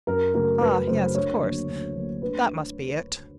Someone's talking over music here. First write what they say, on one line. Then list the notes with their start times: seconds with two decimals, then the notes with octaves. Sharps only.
Ah yes, of course, that must be it.
0.07 F#2 A#4
0.34 C#3 F#3 A3 A#4
0.61 F#2 B4
0.87 C#3 F#3 A3 C5
1.14 D2 C#5
1.41 D3 F#3 A#3
1.68 D2
1.95 D3 F#3 A#3
2.22 D2 B4